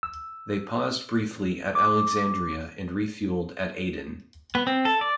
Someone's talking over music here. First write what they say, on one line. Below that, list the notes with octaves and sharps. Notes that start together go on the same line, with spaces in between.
They paused briefly at Alexandria and refuelled at Aden.
E6
D6
B3
C4
A4
D5